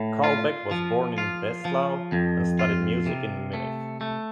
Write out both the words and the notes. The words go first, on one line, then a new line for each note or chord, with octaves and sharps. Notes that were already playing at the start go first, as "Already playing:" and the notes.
Kalbeck was born in Breslau and studied music in Munich.
Already playing: A2
F4
F3
F4
F3
F2
F4
C3
A3
A3